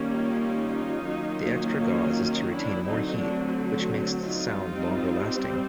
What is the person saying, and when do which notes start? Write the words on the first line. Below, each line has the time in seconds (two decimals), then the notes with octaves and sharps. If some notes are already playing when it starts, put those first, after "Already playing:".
The extra gauze is to retain more heat, which makes the sound longer lasting.
Already playing: D#3 G3 A#3 C#4
0.11 D#4 F4
1.03 D#3 F#3 A#3 C#4
1.93 D#4 F4
2.24 D#4 F4
2.54 D4 E4
2.85 D3 F#3 A3 C4 D#4
3.16 D4
4.22 D#4 F4
4.67 G3 C4